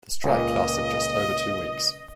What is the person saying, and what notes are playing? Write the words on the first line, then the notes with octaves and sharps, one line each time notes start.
The strike lasted just over two weeks.
C#2 A#2 D#5